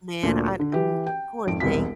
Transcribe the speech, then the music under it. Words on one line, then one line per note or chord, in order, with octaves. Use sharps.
man, I, m poor thing,
D2 A#2
D3
E3 G4
G5
G#1 F2 D7
E1 C2 B6